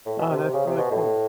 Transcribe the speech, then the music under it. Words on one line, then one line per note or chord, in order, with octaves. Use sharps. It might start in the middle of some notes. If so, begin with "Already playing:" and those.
Oh, that's really cool.
A2
B2
C3
C3
C#3
C3
B2
A2